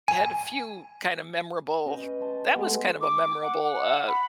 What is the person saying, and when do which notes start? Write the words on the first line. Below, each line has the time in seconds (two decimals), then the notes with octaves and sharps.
had a few kinda memorable that was kind of a memorable, uh,
0.08 G#5
1.86 C#4 B4 D#5 G5
2.20 A5 C6
2.56 G#3 A3 B3
3.01 D6
3.42 F#5
4.07 B5